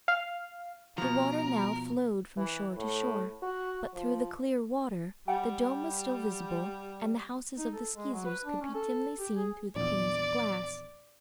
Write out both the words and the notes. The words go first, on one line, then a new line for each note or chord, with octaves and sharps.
The water now flowed from shore to shore, but through the clear water the dome was still visible and the houses of the Skeezers could be dimly seen through the panes of glass.
F5
B2 F3 A#4
E3
A2
F#4
F3
G3 F#5 G5
D#4
A4
G#3
F#3
B4
D4
C#4
A4
G4
G#4
A#1 E2 D5